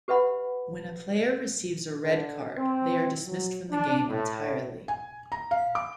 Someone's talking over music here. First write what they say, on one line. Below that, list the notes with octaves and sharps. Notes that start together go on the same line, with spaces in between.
When a player receives a red card, they are dismissed from the game entirely.
G4 B4 E5 F#5 B5
D3
C4
F#3
D4
A2
G#5
A#5
F5
D6